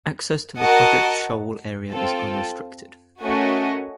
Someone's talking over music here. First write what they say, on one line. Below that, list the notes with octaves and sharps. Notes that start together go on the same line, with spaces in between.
Access to the Project Shoal Area is unrestricted.
F#4 A#4 D#5 F#5 A5
C4 F4 A4
A3 C#4 F#4 A#4 D#5